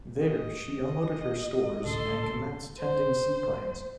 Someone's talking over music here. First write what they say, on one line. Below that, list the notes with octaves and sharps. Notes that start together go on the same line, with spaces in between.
There, she unloaded her stores and commenced tending seaplanes.
D#5
C#2 A2 D3 A4 C6
C5